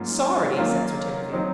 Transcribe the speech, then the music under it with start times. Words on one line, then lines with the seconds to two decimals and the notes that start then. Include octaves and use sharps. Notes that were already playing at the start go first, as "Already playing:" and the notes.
"Sorry!" said Sir Timothy.
Already playing: G#2 F#3 A#3 C#4 F4
0.57 D#3 F#3 A#3 C#4 F4
1.32 F#3 C4 D#4